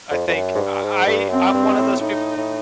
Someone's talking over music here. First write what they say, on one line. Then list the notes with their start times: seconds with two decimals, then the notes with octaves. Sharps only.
I think I I I'm one of those people
0.11 F2
0.27 F2
0.34 F#2
0.55 G#2
0.58 G2
0.83 G#2
1.06 G2
1.29 F#2 C4
1.54 G2
1.77 A2
2.01 A2 D#4
2.37 A2